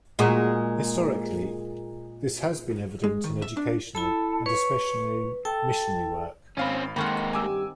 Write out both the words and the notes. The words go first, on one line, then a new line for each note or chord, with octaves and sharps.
Historically, this has been evident in educational and especially missionary work.
A#2 G#3 F#4
G#3
D#3
E5
D4
E4 A4 A5 B5
B4 C#5
A4 G5 A5
G#1 C4 C#4 F5 B5
D#3 G#3 A#3 C4 F#5 B5 C#6 F6
G2 G4 G#5 D6 E6